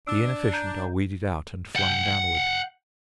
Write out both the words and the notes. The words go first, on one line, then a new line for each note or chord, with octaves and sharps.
The inefficient are weeded out and flung downward.
D4 E6
A#5 G6
F#5 G5